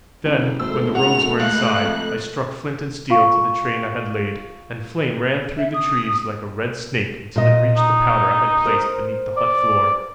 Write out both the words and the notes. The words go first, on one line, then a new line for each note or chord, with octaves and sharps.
Then, when the rogues were inside, I struck flint and steel to the train I had laid, and flame ran through the trees like a red snake until it reached the powder I had placed beneath the hut floor.
F#1 D3
G#1 A3 C5 E6
F#4 F7
C#2 F4 F#6
F2
F4 F5 C#6
E5
D#6
A#2 D#5
D#4
A#4 C5
D5